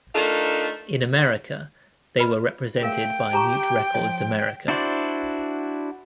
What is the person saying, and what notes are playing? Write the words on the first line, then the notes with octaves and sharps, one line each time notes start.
In America, they were represented by "Mute Records America".
A3 D4 D#4 F4 A4 A#4
B4 D#5 B5
A3 G#4 A#4 F5 G5
G4 A5 A#5 C#6
F3 C#5 D#5
D4 E4 F#4 C5 D5